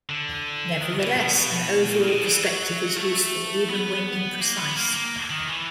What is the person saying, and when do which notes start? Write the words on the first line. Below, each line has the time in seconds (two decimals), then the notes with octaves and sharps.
Nevertheless, an overall perspective is useful even when imprecise.
0.09 D3
0.82 D#3
0.99 E3
1.08 C#3
1.17 B2
1.89 A#2
2.07 B2
2.25 E3
2.43 F#3
2.96 A3
3.68 B3
4.40 A#3
4.58 B3
4.76 A#3
4.94 A#3
5.30 D#3
5.48 E3